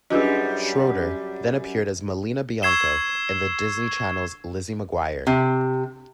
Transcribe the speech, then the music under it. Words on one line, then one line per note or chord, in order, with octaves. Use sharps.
Schroeder then appeared as Melina Bianco in The Disney Channel's "Lizzie McGuire".
F#2 G3 D4 E4 F#4 G#4 B4 D#5
C#6 E6 G#6 C7 E7 G7
C3